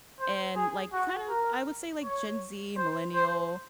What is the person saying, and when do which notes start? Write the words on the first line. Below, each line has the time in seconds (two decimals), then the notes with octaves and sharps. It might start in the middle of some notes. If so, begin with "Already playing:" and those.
and, like, kind of, I would say like Gen Z, millennial,
0.20 C5
0.56 G#4
0.93 F#4
1.29 A#4
2.04 C#5
2.76 C5
3.14 C5